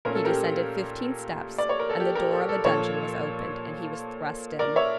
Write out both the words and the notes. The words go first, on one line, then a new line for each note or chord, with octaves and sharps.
He descended fifteen steps, and the door of a dungeon was opened, and he was thrust in.
A#2 A3 C#4 A#4
A4
G4 A#4
D5
C#5
A#4
A4
G4
G4 A#4
A4
A4
A#2 F3 A#3 A4 C#5
A#4 D5
C#5 E5